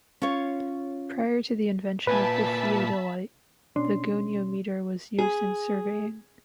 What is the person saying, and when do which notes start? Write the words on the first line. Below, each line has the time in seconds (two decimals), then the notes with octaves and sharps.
Prior to the invention of the theodolite, the goniometer was used in surveying.
0.22 C#4 F4 C#5
2.07 A#2 B4 E5 G#5 A5 B5
3.76 B2 C#4 D4 C6
5.18 G#4